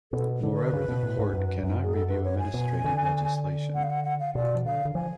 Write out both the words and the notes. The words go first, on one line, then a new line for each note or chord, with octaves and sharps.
Moreover, the court cannot review administrative legislation.
B2 A4
D3
B4
C#3
B2
A2
G#2
F#2
F#2
G#4
A4
B4
C#5
G#5
B2
D3
F#5
F5
F#5
F#5
F5
B2 D5
F3
D3 F5
D3
F3 G#5